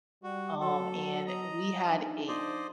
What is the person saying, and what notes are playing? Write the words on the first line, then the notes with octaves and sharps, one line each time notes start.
um, and we had a
G3 F#4
F#3 A4
D#5 A#5
F3 D4 D#4
C5 D5 D#5